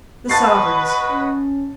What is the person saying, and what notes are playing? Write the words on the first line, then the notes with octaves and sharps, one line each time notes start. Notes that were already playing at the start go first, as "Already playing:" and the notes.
The sovereigns!
F#4 B4 C#5 D#5 A5 A6 C7
C#4